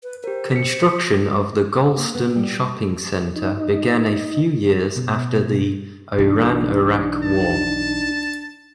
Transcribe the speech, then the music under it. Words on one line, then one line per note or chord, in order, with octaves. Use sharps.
Construction of the Golestan Shopping Center began a few years after the Iran-Iraq War.
B4
G4 A#4 C5
C5 B6 C#7
A#3
B3
G3
D#4
B2
B1 E3 D4 D#4
A5